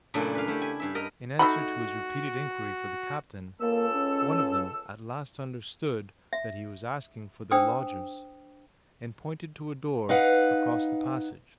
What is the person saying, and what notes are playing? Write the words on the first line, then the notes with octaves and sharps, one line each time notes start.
In answer to his repeated inquiry for the captain, one of them at last understood that he was asking for their lodgers, and pointed to a door across the passage.
F#2 A#2 C#3 A3 D4 E4
B4 F5
A3 E4 G4
G#5
G2 E5
A#4 D#5 A#5 B5
A3 D#4 F#4 B5
C#2 A#3 A4 E6
C#4
E5
D4 C5 G5 D#6 E6
D#4 B4 F5 F#5